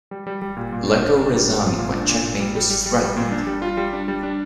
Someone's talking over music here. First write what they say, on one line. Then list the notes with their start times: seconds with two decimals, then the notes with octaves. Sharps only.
Leko resigned when checkmate was threatened.
0.11 G3
0.27 G3
0.42 G3
0.57 A#2
0.72 A#2
0.87 D4
1.02 D4
1.18 D4
1.34 G3
1.48 G3
1.64 F4
1.79 A#2
1.95 D4
2.09 A#2
2.25 A#2
2.41 G3
2.55 G3
2.70 G3
2.86 G3
3.02 G3
3.16 A#2
3.32 D4
3.47 G3
3.62 F4
3.77 G3
3.93 D4
4.08 G3
4.23 D4